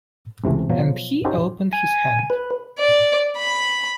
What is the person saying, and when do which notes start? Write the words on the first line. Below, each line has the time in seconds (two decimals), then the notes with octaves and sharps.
And he opened his hand.
0.44 C#2 C3 E3 A3
0.70 B2 F3 F#3
1.25 C#4 D#4 F#4 G4 A4 C5
1.73 G#5
2.30 B4
2.78 D5
3.37 B5